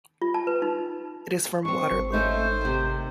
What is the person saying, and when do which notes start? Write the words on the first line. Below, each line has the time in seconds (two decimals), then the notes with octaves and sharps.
It is from Waterloo.
0.22 F4
0.34 A5
0.47 B4
0.62 D#4
1.65 C4 D4 C#6
1.91 G#1
2.13 A3 C#4 D#4 C5
2.61 C3 D#3